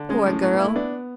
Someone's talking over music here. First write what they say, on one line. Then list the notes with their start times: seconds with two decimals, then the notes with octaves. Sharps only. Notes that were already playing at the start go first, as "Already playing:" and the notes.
Poor girl!
Already playing: D3
0.09 G#3 C#4
0.26 A2
0.31 C#4
0.42 A2
0.53 B3
0.59 E4
0.64 A3
0.75 B3 D4